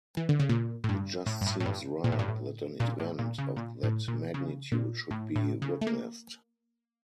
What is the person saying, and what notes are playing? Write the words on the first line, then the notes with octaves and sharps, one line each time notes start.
It just seems right that an event of that magnitude should be witnessed.
E3
D3
C#3
A#2
A2
G2
A2
G2
A2
A2
G2
A#2
A2
G2
A2
A#2
A2
A#2
C#3
A#2
A2
A#2
C#3
A#2
A2
A2
C#3
A3
A#3